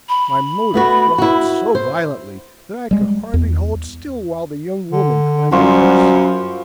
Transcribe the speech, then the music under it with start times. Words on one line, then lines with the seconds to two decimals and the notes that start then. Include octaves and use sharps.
My motor throbbed so violently that I could hardly hold still while the young woman climbed into her seat.
0.09 B5
0.74 A3 B3 F#4
1.18 E4 F#4
1.75 C5
2.91 G3 G#3
3.34 E2
4.92 D3
5.52 F#2 G3 F4 F#4 C5